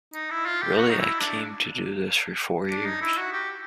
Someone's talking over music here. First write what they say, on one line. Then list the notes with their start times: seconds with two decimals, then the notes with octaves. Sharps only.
Really, I came to do this for four years.
0.14 D#4
0.31 E4
0.46 F4
0.62 G4
0.78 F#4
0.90 D#4
0.99 E4
1.20 D4
2.69 D4
2.86 D#4
3.02 E4
3.17 F#4
3.33 G4